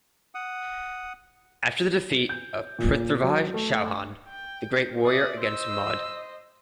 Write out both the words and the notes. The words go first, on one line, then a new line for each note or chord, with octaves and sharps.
After the defeat of PrithviRaj Chauhan, the great warrior against Mohd.
F#5 D#6
G6
A#2
F#3
A3
G5
D5 E5 D#6
C5 D#5 E6